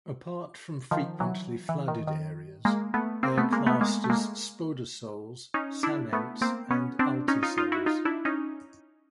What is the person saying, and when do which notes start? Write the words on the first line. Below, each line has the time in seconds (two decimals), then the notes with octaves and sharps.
Apart from frequently flooded areas, they are classed as Spodosols, Psamments and Ultisols.
0.91 D#3 F3
1.20 E3 F#3
1.69 E3
1.88 D#3
2.07 D#3
2.65 G#3 A#3
2.94 A3 B3
3.23 A#3 C4
3.38 A3 B3
3.52 G#3 A#3
3.66 A3 B3
3.81 G#3 A#3
4.04 A3
4.10 G#3 A#3
5.54 C#4 D#4
5.83 D4 E4
6.13 A3 B3
6.41 A#3 C4
6.71 B3 C#4
6.99 C4 D4
7.28 C#4 D#4
7.43 D#4 F4
7.58 D#4 F4
7.72 E4 F#4
7.86 D#4 F4
8.05 D4 E4
8.25 C#4 D#4